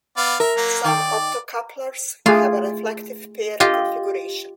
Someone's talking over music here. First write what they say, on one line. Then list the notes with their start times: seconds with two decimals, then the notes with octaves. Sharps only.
Some optocouplers have a "reflective pair" configuration.
0.17 B3 D5 F5
0.40 A#4 E5
0.57 F#3 A#3
0.84 D#3 D5 G5
2.26 A3 F4 G#4
3.60 F4 G4 D#5